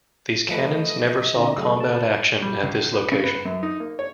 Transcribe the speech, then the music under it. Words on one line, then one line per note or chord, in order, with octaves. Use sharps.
These cannons never saw combat action at this location.
F3 A3 B4 D#5
D3 C4 E4
C#3 F#3 A3
B4 A5
G3
C#2
B4
C#3
B3
F#2
D#4
A#3
C#5